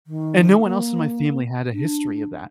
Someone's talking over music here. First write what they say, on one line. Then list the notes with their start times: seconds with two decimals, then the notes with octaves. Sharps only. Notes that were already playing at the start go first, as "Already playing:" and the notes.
And no one else in my family had a history of that.
0.07 D#3
0.62 A#3
1.73 D4